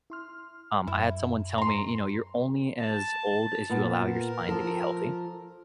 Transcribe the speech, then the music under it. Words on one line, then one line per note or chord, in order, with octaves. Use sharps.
um, I had someone tell me, you know, "You're only as old as you allow your spine to be healthy."
E4 C6 F6
F#2 E4
A#5 C6
A5
A#2 B3
A#4
F3 A4